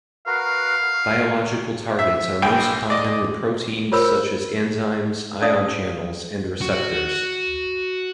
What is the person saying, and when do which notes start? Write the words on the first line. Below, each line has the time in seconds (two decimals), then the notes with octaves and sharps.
Biological targets are most commonly proteins such as enzymes, ion channels, and receptors.
0.26 F#4 A#4 B4 F5
0.94 C#6
1.99 E5
2.42 A#1 G5 G#5
2.90 D5 D#5
3.92 F4 A#4 C5 C#5 B5 E6
5.42 C#4 D#4 D5 F5 D#6
6.61 F#4